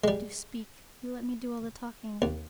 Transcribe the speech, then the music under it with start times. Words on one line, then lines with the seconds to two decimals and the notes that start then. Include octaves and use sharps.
Do speak! You let me do all the talking.
0.04 G3 G#3
2.22 D#2